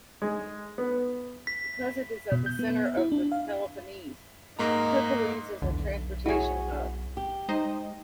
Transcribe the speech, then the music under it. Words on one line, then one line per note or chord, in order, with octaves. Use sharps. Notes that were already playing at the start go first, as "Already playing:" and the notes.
Because it is at the centre of the Peloponnese, Tripolis is a transportation hub.
G#3
B3
B6
B2
G6
B3
E5
E4
D4
F5
G#2 A#3 D#4 A#5
B1 E2 D3
E4 F#4 G#4 C#5
G4
G#3 D#4 C5 D#5